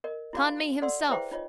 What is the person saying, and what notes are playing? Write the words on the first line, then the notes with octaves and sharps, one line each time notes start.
Conmee himself!
A#4 D#5
E4 F#4 G#4 F5
A4 D5 F#5 C6 E6
E4 G#4 B4 C5 E5 G5
D#4 F4 C#5 D#5